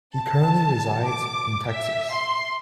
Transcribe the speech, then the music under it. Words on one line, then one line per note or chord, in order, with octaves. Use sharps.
He currently resides in Texas.
A5
D6
E5
C6